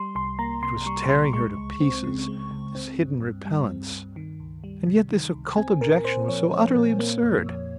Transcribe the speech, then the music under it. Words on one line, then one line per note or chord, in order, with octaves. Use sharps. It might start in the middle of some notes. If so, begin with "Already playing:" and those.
It was tearing her to pieces, this hidden repellence. And yet this occult objection was so utterly absurd.
Already playing: G3 C6
C2 C6
A#3 A#5
C3 C6
G3 C#6
C2 C6
G#3 C#6
C#2
C4
C#3
G#3
C#2
C4
G2
G2
G3
C4
G2
D#3
C#2
G3
C3
D#3
C#2
C4 G#5
A#2 A#4
A#2 C5
F3 C#5
C4
A#2
A#3
F2
F2